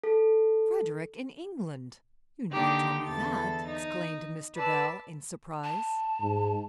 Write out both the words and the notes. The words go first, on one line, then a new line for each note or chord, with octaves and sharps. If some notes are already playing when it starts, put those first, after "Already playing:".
'Frederick in England! you never told me that!' exclaimed Mr. Bell in surprise.
A4
D3 A#3 D#4 G4 A#4
E2 A4 A6
D#4
B4 D5 A5 E6
A5
G#2